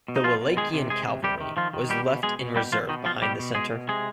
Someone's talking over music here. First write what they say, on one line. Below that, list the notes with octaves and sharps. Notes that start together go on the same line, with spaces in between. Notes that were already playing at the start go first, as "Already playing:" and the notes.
The Wallachian cavalry was left in reserve behind the center.
B2
D#4
B2 F3 F4
B2
D#3 G#3 G#4
C3
C3 G#3 G#4
C3
C3 G3 G4
D#3
D#3 F3 F4
D#3
B2 G3 G4
B2
B2 G#3 G#4
B2
B2 G3 G4
B2 F3 F4
B2 D#3 D#4
B2 F3 F4
B2 G3 G4
B2
B2 G#3 G#4
B2
C3 G#3 G#4